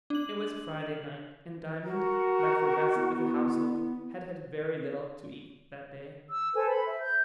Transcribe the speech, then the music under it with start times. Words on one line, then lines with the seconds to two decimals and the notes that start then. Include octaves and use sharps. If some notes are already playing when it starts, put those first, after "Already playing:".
IT WAS Friday night, and Diamond, like the rest of the household, had had very little to eat that day.
0.10 D4 F#7
1.84 F#4 A#4
2.94 B3 E4
6.29 E6
6.55 A4 B4 C5 G#5
6.70 B5
6.86 C5 E5
6.99 G6